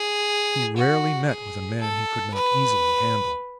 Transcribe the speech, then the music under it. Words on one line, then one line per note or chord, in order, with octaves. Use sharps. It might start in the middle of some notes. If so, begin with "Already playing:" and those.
He rarely met with a man he could not easily handle.
Already playing: G#4
F#4
G#4
A4
B4